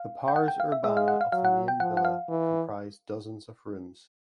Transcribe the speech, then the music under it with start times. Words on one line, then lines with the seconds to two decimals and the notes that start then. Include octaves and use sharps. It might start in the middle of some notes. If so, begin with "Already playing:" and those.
The "pars urbana" of the main villa comprised dozens of rooms.
Already playing: F5
0.28 G5
0.36 F#5
0.48 G5
0.60 F5
0.72 E5
0.84 G#3 E5
0.97 F5
1.08 F#5
1.21 F5
1.32 F#3 F5
1.45 F#5
1.68 G5
1.80 F3 F#5
1.97 F#5
2.05 F5
2.29 E3